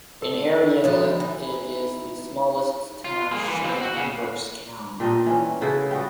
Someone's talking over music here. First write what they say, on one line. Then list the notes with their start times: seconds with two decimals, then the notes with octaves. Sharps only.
In area it is the smallest township in Berks County.
0.22 A4
0.84 B2 D3 F3 G#3
1.20 E3 D#4
3.05 F4
3.32 G#3 A#3
3.48 E3
3.65 D#2 C4
3.81 F#4
3.96 C#3
5.00 A#2 G3 D4 D#5
5.26 E3 C#4
5.61 C#3 E4 F#4 A4
5.91 G3 B3 F#4